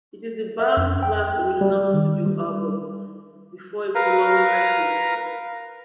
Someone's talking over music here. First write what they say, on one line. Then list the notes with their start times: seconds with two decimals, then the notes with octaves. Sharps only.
It was the band's last original studio album before a prolonged hiatus.
0.59 E5
0.77 F2
1.03 G5
1.61 G3
1.94 D#3
2.26 G3
3.95 A#4 B4 F5 A#5